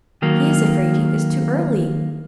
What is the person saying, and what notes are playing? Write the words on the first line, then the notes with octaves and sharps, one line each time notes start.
"He is afraid he is too early!"
D#3 F#3 A#3